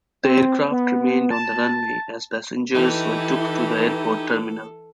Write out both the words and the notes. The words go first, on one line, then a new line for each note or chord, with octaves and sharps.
The aircraft remained on the runway as passengers were took to the airport terminal.
C4
B3
A5
E3 D#4 E4 G4 A4